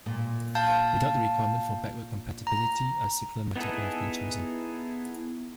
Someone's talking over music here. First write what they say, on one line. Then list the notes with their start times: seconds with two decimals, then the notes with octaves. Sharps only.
Without the requirement for backward compatibility, a simpler method could have been chosen.
0.06 A#2
0.55 F5 A5 G6
2.47 A#5
3.56 B3 D#4 E4 G#4 A4